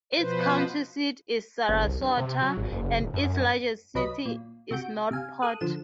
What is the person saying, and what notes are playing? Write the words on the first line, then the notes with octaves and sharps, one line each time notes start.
Its county seat is Sarasota, and its largest city is North Port.
B2 F3 B4 C5
F#1
C2
G2
C3
F#3
G#1
F#1
D1
F#2
C2 F#3 B4 D#5 B6
A#2
C3 F#4 G6 D7
C3 F5 G#5
A4 D#6 F#6
D3 F3 E7